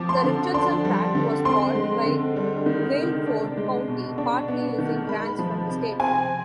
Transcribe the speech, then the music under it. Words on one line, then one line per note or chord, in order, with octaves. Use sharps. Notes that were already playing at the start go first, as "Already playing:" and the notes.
The Richardson Tract was bought by Guilford County, partly using grants from the state.
Already playing: F3 C4 D6
C6
D3
D4 C6
G3
D3
C4 C6
G#3
D3
G3
D#3
C3
D4
G#3
B2
D4
B3
D#3
G#3 B5
F3
C3
C4 G#5